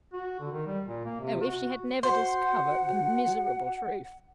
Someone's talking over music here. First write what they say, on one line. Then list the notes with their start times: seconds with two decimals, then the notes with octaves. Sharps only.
Oh, if she had never discovered the miserable truth!
0.13 F#4
0.40 D3
0.52 D#3
0.66 G3
0.86 A#2
1.05 A#3
1.21 C3
1.41 F#4
2.03 F#4 C5 F#5